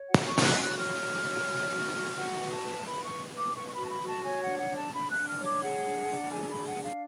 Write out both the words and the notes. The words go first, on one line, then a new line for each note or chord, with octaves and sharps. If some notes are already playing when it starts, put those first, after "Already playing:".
It is part of City of Lismore.
Already playing: C#5
F#4 F#5
C#6
C#5
F#6
F#4
F#6
C#5 F6
F#4
C#5
F#4
F#4
F#4
F#4 F#5
B4
A5
B4
B4 B5
C#6
B4
B4
D6
B4 C#6
C#6
B5
F#4
A5
B5
F#4
A5
C#5 G#5
F#5
D4
F#5
D4
A5
D4 B5
F#6
D4
F6
C#5
D6
G#4 F#5
D4
D4
G#4 G#5
B5
D4
F#5
D4
F5